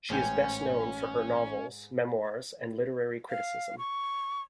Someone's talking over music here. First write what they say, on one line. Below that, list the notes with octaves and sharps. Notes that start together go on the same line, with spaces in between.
She is best known for her novels, memoirs and literary criticism.
A1 G#2 C#4 G5 G#5
F5
C#6